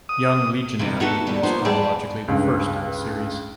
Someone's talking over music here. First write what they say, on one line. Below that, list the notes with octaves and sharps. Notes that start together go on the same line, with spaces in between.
"Young Legionary" is chronologically the first in the series.
D#6
F2 C3 D#3 E3 A#3 E4
B3 D#4 F#4 A4 E5
D#2 B2 G3 B3
F3 A#3 B3 D#4 A#4 C5
E2 G3 G4 G#4 B4 A5
C#2 G2